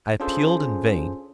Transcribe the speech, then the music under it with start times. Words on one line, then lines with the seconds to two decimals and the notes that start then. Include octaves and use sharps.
I appealed in vain.
0.20 C#4 D4 F4 G#4 A4 C5